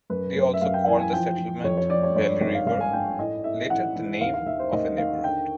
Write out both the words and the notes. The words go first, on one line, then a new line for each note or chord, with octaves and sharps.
They also called the settlement "Belle River", later the name of a neighborhood.
F#2 B4
F#2
E5
F#2 F5
G5
E3 G#5
G#5
F3 G5
F3
F2 C#5
C#5
F3 D5
C#5
G2 C#5
D5
G#1
F5
G#1 F5
G#5
G2 G5
A2 D#5
A2 E5
E3 F#5
E3
D#2 F5
F5
D#3 E5
C5
D#2 D#5
D#3 F5
D3 G5